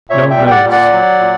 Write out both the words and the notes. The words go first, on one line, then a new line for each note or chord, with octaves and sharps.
No notice.
A#2 C#5 E5
E5 G5
G3
G5
D5 F#5
A#2
D5 F#5
F#3
A#2